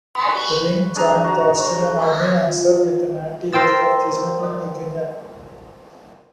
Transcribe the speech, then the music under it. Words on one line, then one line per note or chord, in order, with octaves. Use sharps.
Ring joined the Australian Army and served with an anti-aircraft regiment in New Guinea.
B4 B5 C#6
D4 G#4 A#5
F#4 A#5
F4
A#4 C5 G5 E6 A6